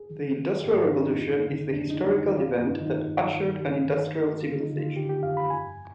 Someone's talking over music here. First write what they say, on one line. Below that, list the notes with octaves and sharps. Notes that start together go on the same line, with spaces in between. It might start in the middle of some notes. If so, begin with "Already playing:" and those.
The "industrial revolution" is the historical event that ushered in industrial civilization.
Already playing: G#4
D#3
D#3
G#2 G4
F4
D#3 D4
D#4
F2
D3
F2 D4
D#4
F2
D#4
D#3 F4
F4
G2
D#4
D#3 D#4
G2
D#3
D#3
D#3
D#3
D3 F4
D#4
D3
F4
D3 G4
G4
F2 F5
B5
G2 G#5